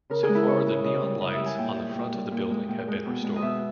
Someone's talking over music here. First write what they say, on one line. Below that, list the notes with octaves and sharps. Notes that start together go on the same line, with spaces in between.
So far the neon lights on the front of the building have been restored.
C#3 A#4
G#4
G#3
E4
C#3 C#5
G#3
C#3 D#5
G3
C#3 D#5
E5
G3
G#5
A#2 G5
G3
A#2
G3
A#2
G#3
A#2 G5
G#3
B2
G#3
D#5
B2 E5